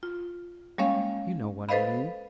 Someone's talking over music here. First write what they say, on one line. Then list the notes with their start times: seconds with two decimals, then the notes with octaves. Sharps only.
You know what I mean.
0.03 F4
0.78 G3 G#3 A#3 C#4 C#5 F5
1.69 A4 B4 C5 D#5 F5 B5